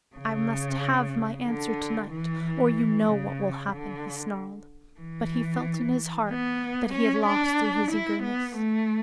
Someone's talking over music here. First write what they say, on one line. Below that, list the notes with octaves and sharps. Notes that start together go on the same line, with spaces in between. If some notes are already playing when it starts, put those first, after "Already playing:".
"I must have my answer to-night, or you know what will happen," he snarled, but he felt in his heart that he had lost through his eagerness.
C#3
D3
E3
C#3
D3
E3
B3
C#4
D4
E4
B3
A3